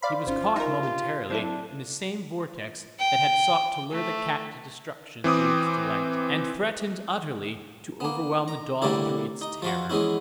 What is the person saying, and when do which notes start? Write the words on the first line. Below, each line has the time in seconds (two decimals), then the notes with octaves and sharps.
He was caught momentarily in the same vortex that had sought to lure the cat to destruction through its delight, and threatened utterly to overwhelm the dog through its terror.
0.02 C5 D5 F5 B5
0.27 G#1 C#4 F4 C5
0.56 D#4 A#4 E5
0.83 G4
1.30 F#3 C4 D4 E4 A4
2.99 G5
3.92 A3
5.24 E3 C4 D6 D#6
8.00 A#3 B3
8.48 A#5
8.82 A2 D3 G3 A#3 D4 E4
9.41 D#4
9.62 F3 F4 F#4
9.90 E3 G#3 B3 C#4 E4